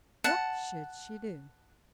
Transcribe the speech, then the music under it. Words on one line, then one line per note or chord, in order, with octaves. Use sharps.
What should she do?
F#5 A5